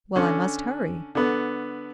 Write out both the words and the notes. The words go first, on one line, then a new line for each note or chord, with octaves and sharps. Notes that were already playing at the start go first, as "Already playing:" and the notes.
Well, I must hurry.
D3 C#4
D3 B3